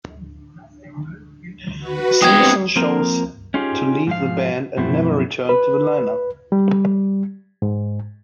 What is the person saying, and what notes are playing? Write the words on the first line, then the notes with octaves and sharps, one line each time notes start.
Simpson chose to leave the band and never returned to the line-up.
F#4 B4
G#3 B3 C4 D4 G4 G5 D#6 G#6
F3 A#3 C4 A#4
C#4 D#4 F4 G4 G#4
G#2 F3 F5
F#2 B2 F3 A3 C4 E4
B4
G3
G#2